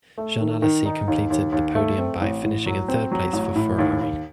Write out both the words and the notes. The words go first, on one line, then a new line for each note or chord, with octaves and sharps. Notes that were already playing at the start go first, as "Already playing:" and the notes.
Jean Alesi completed the podium by finishing in third place for Ferrari.
A3
D#3
D#3
D#4
D#2
D#2
D#2
A3
C4
A1
A2
F#3
C4
F#3
A1
A2
D#2
D#2